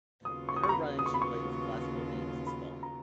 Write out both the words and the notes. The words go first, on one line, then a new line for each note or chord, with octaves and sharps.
In her writings she played with classical names and spelling.
D#2 C#3 F#3 B3 F4 D#6
C#6
D#6
C#6
A#5
B5
D#6
C#6
B5
C#6
B5
A#5